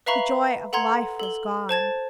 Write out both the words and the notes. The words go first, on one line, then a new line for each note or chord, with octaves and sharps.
The joy of life was gone.
B4 E5 F5 A#5 B5 C#6
A4 F#5 A#5 C6 G#6
A4 G7
C5 A5 G#6 A6